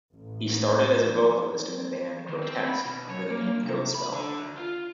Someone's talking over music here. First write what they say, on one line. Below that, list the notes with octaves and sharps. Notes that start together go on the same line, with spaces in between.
He started as a vocalist in the band Grotesque under the name Goatspell.
A1
F3
C4
D#3
C4
B5
B2
C#5
A#3
C3
B5
D3
D2
F4